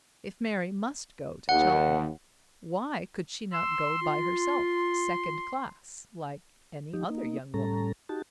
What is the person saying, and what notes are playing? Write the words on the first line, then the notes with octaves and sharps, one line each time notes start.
If Mary must go to Cheltenham, why could she not go by herself, second class, like any other young woman?
D#2 F#5
C6 E6
F4
F3 D#4 G4
A#3 D#4
A2 G3 C#4 A4 A#5
D#4 F#4 G4 A5